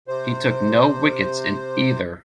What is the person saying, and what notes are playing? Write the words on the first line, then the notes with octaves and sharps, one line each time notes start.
He took no wickets in either.
C3 C5